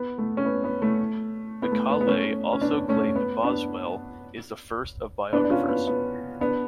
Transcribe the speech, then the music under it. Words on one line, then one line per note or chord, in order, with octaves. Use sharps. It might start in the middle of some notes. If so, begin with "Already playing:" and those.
Macaulay also claimed Boswell is the first of biographers.
Already playing: B3
A3
C#4
B3
B3
A3
B3
A3
B3
B3
A3 C#4
C#4
B3 D4
A3 C#4
B3
B3 D4
B3 D4
D4
C#4 F4
B3
B3
B3 D4